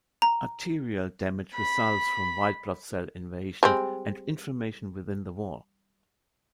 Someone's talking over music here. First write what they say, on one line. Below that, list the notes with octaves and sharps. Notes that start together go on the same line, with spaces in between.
Arterial damage results from white blood cell invasion and inflammation within the wall.
A#5
B5
G3 G#3 C4